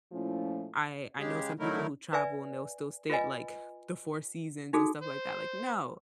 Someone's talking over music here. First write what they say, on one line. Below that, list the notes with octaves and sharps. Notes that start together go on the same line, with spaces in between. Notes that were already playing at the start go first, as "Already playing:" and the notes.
I I know some people who travel and they'll still stay at, like, the Four Seasons and stuff like that, like, "No,"
A#2 F3 A3 C#4 E4 F4
C#3 G#3 G4 G#4
D3 F#3 A3 D#4 E4 A#4
B4 D5 E5 G#5
F4 B4 D#5 G#5
D#4 F#4 G#4 A4
C5